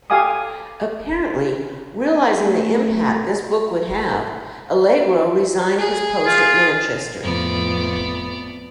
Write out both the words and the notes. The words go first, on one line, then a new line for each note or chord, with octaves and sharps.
Apparently realising the impact this book would have, Allegro resigned his post at Manchester.
G4 A4 F5 G#5 D6 D#6
G#5
A3
G#4
F4
F2 A2 B3 D5